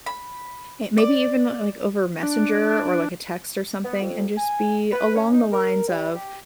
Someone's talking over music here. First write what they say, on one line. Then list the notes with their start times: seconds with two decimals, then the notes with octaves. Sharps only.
It maybe even like over messenger or like a text or something and just be along the lines of,
0.06 B5
0.98 D5
2.23 D4
3.84 B3
4.01 F2
4.37 G#5
4.93 B4
5.15 C#4
5.31 D#4
5.52 A#4
5.88 G3
6.14 G4